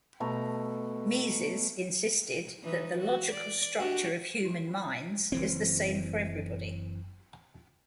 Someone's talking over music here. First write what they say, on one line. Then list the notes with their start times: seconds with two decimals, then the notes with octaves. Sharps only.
Mises insisted that the logical structure of human minds is the same for everybody.
0.20 B2 A3 A#5
2.63 E3 D#4
2.99 F#4
3.31 D5
3.78 D4 F#4 G4
5.32 F#1 E3 C4